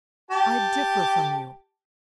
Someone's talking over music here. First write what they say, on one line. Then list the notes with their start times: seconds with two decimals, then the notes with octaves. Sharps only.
'I differ from you.
0.31 G4 A5